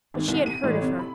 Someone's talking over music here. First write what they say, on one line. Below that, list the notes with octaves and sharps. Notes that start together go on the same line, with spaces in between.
But she had heard of her.
G#1
C2
D#7
A1
C3
B5